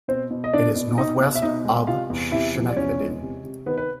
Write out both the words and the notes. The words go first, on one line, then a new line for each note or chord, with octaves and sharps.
It is northwest of Schenectady.
B2 C4 C5
B2
D#5
B2 D4 D5
B2
B2 D#4 D#5
B2
E5
B2 D#4 D#5
G#3
C3 F4 F5
E2
C3 E4 E5
F3
D5
E2 C#4 C#5
G#3
C3
C3
D#3 B3 B4
B4